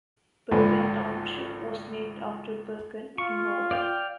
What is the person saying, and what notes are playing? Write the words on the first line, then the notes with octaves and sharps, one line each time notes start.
Bergen Township was named after Bergen, in Norway.
G#1 C#2 D3 F3 B4
F4 C#6
D5 F5 G5